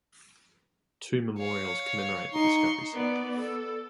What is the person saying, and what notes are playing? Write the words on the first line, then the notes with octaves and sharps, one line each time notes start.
Two memorials commemorate the discovery site.
C#5 F5
D#4 C6 C#6
B3 D5
A4